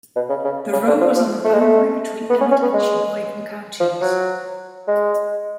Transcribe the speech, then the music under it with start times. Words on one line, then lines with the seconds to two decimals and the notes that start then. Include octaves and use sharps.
The road was on the boundary between Emmet and Cheboygan counties.
0.16 B2
0.29 C#3
0.44 C#3
0.73 C#3
0.87 D3
1.01 F3
1.16 F3
1.44 A3
1.52 G#3
1.61 A3
2.30 B3
2.41 C#4
2.51 C#4
2.62 B3
2.73 G#3
3.80 F3
4.01 F#3
4.88 G#3